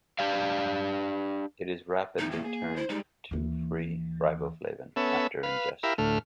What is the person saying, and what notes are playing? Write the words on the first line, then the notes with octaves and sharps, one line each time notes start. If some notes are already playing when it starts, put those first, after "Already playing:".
It is rapidly turned to free riboflavin after ingestion.
D4 G4 D5 F5
D#2 A2 D#4
A#3
G#4
E4 C5
G3 G#3 D#4
D#2 E3
B3 C#4 A4 E5
B4 F5
E4 G4 A#4 E5 F5 B5
D2 A2 A3 F6